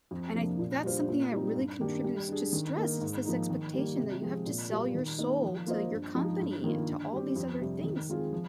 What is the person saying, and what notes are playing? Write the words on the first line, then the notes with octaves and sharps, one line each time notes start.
and I think that's something that really contributes to stress, it's this expectation that you have to sell your soul to your company and to all these other things
F2
C3 F3 A#3 D4
A#2
G3 D4 F4 C5
A#2
G3 C4 D#4
G2
D#3 A#3 D4 G4
G3
D4 G#4
D#3
A#3 D#4 A#4
G#2
F3 A#3 D#4
D#3
G3 A#3
C3
F3 G#3 C4
A#2
G3 A#3 F4
D#3
A#3 D#4 A#4 D#5
F3
A#3 F4 C5 D#5
G2
F3 G#3 D#4 G#4
G2
D#3 A#3 F4
D3
G3 C4 G4
F2
C3 G3
D#3
G#3 C4 F4 G#4
F3